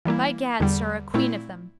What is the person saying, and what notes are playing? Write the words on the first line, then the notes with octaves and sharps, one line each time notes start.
By gad, sir, a queen of them.
E3 G3 A#3 E4
E2 D3 G3
A#2 A3 C4 E4